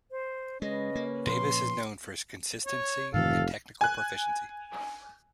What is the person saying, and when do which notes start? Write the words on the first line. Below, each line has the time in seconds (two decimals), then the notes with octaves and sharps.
Davis is known for his consistency and technical proficiency.
0.11 C5
0.62 C#3 G#3 C#4 B4 D#5
0.96 A#3
1.26 A#2 F3 C6
2.66 C#5
3.14 F1 G#2 D#3 E3 A4 F5
3.81 G#5 F#6